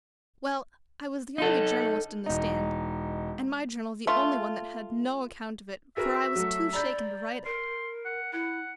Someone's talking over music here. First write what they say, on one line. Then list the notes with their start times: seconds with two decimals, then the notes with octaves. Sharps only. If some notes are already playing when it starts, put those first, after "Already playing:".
Well, I was the only journalist in the stand, and my journal the only one that had no account of it, for I was too shaken to write it.
1.38 D#4 A4
2.26 E1 D#4
4.07 A3 F4
5.97 F#4 G#4 A#4 B4 E5
6.36 F#3 A3
6.73 D5 A#5 B5 G6
7.46 A#4 C6
8.05 F#5
8.33 E4 F#5